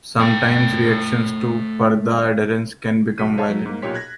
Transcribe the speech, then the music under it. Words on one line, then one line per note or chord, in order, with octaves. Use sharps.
Sometimes reactions to purdah adherence can become violent.
A3 G5
B1 F#4 B6 D#7
C5 C#5 E5 F5 A5
F#3
G#2 A#3
B1 A#2 G4 C#5 C6 B6
F#6 G#6 A#6